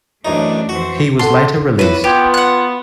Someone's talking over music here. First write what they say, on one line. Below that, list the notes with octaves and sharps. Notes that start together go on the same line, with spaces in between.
He was later released.
A1 F#2 A3 D4 D#4
F2 E3 F#4 C5
A4 F#5 A5 C6
E4 F#4 B4 C#5
B3 F4 G4 B4 G#6
F#5 F#6